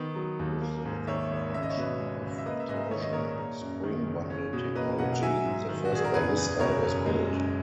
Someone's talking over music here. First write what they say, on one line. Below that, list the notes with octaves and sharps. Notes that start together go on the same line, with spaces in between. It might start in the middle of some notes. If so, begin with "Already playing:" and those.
With the invention of torsion spring bundle technology, the first ballista was built.
Already playing: D#3 B3
F#3
D#2
A#3
G#2
D#3 C#5 E5
G#1
C#2 E5
D#5
C#5
B2 B4 D#5
G#3
C#2
E5
A#3 B4 D#5
E5
G#2 B4 D#5
D#3 C#5
D#5
A#1 A#4 C#5
A#3
F#2
D#3
F#1
C#4
B2
A#3 B4 D#5
B1 D#5 F#5
F#5
F#3 E5 G#5
G#2
D#3
F#4
A#1 G#4
A#4
F#1 G#4 B4
E2
B2 A#4 C#5
F#1
G#3
F#2